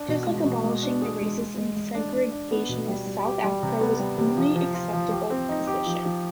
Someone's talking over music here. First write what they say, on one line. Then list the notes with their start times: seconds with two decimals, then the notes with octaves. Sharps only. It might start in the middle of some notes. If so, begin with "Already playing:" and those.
Just like abolishing the racist and segregationist South Africa was the only acceptable position.
Already playing: D4
0.08 B2
0.27 G#3
0.46 B2
0.64 G#3
0.83 D4
1.02 G#4
1.20 G#3
1.39 G#4
1.58 G#3
1.76 G#3
1.95 D4
2.13 D4
2.32 D4
2.51 B3
2.69 B2
2.88 G3
3.06 G3
3.25 G4
3.44 G3
3.63 C3
3.81 B3
4.00 G3
4.18 C3
4.37 F3
4.56 F3
4.74 F4
4.93 F3
5.11 G4
5.30 C4
5.49 D#4
5.67 G4
5.86 F3
6.05 F3